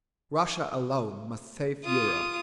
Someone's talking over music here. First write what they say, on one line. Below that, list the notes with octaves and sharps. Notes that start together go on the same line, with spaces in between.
Russia alone must save Europe.
F4 D#6